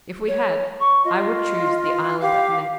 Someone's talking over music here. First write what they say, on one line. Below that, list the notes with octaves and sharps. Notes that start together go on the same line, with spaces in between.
'If we had I would choose the Island of Man.'
C#5
C#6
F4 D#5
G4 F5